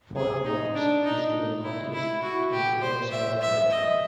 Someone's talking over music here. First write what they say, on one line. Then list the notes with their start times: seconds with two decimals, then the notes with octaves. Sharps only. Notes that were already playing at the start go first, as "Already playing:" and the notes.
Fort Knox is to the northeast, on the other side of Radcliff.
0.16 G#4
0.45 D#4
0.74 D4
1.04 D#4
1.63 E4
1.93 E4
2.22 F#4
2.52 G4
2.81 C5
3.11 E5
3.41 E5
3.71 D#5